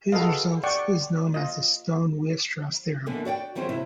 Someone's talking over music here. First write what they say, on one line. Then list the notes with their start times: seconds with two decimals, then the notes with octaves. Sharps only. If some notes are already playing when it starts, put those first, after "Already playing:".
His result is known as the Stone-Weierstrass theorem.
0.12 F#4 G#4 A4 B4 D#5 F5
0.63 D5 F#5 G5 C#6
1.34 F4 D#5
3.06 B2 D3 E3 A#3
3.25 F#4 D5 F5 G5
3.55 D#3 E3 F#3 C4 F4 G#4
3.69 C3 E4 E5